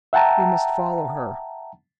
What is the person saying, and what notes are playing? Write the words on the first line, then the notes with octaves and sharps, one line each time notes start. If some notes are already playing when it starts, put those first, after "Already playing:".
"We must follow her."
E5 F#5 G5 A5 A#5